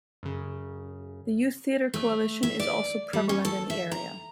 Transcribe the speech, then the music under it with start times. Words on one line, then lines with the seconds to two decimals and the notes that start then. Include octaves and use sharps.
The Youth Theatre Coalition is also prevalent in the area.
0.23 F#2 C#3
1.94 A3
2.43 E5
2.60 D5
3.13 G3
3.29 C#4
3.45 A4
3.70 E5
3.92 A#5